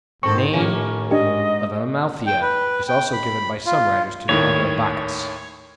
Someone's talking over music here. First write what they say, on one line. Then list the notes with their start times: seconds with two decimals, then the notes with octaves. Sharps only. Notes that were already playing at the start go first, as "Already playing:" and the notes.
The name of Amalthea is also given by some writers to the mother of Bacchus.
0.23 G#2 D#3 C4 A4 C#6
0.53 D#2 A2 A#3 C#4
1.11 G#2 D4 G4 D#5
2.27 G5
2.42 B4
2.88 G5
3.13 B5
3.66 F4
4.29 D#2 A2 D#3 C#5